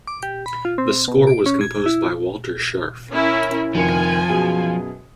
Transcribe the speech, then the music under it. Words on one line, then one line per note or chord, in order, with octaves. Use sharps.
The score was composed by Walter Scharf.
D6
G4
B5
F4
C4
B2
D7
C#4
G#6
E4
C#4 E4 A#4
F1 D#3 F3 G#5 C#7
F#2 B2 G#4